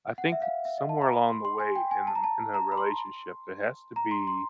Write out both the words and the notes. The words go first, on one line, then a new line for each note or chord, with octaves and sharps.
I think somewhere along the way in the in the relationship there has to be
F#5
E5
F5
E5
D#5
A5
A#5
B5
C6
C6
G#5
G5
G#5
A5
A#5
A5
A#5
B5
C6
A#5
C6
C6